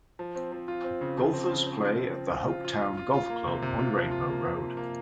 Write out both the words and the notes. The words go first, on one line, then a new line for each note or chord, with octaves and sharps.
Golfers play at the Hopetoun Golf Club on Rainbow Road.
F3
C4
F3
F4
C4
C#3
F3
C4
C#3
C4
F3
C4
C4
F4
F4
F4
F4
F4
F4
A#3
C3
C3
F4
F3
F4
A#3
C3
C3
A#3